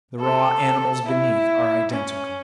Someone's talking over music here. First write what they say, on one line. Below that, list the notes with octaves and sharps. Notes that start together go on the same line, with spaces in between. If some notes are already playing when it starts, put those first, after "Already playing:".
The raw animals beneath are identical.
A4
E4
C#4